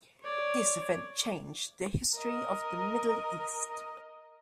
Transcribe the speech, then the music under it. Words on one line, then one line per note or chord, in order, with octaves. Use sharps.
This event changed the history of the Middle East.
C#5 D5
A#4 D#5